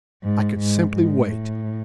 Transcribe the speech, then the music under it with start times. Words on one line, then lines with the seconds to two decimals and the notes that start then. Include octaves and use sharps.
I could simply wait.
0.23 G#2
0.59 G#2
0.93 G#2
1.29 A2